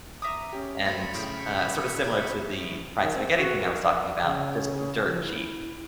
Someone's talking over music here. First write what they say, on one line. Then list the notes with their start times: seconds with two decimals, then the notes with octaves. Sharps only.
and, uh, sorta similar to the fried spaghetti thing I was talking about, just dirt cheap.
0.22 E5 A#5 D6 D#6
0.53 C#4 G4
0.85 A3 C5 B5 C#6
1.14 A2 C#3 F5 G5
2.03 E4 A#5
3.03 D#3
3.16 C4
3.39 F#4
3.60 A#4
3.72 A#4
3.84 D4
4.22 C#3
5.07 F3
5.23 E4